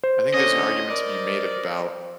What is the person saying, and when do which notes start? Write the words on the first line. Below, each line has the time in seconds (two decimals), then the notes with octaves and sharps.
I think there's an argument to be made about,
0.03 C5
0.34 D3 C#4 D#5
0.90 A#4 D5